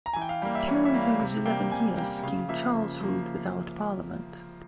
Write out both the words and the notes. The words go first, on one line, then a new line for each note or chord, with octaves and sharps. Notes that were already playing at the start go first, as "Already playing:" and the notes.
During those eleven years, King Charles ruled without parliament.
A#5
G#5
E3
G5
F5
G3 A#3 G5
E5
E3 C#5
E5
G3 A#3
F5
C3
G3 A#3 G5
C3 G#5
G3 A#3 G5
C#3 F5
F3 A#3 E5
C#3
F3 A#3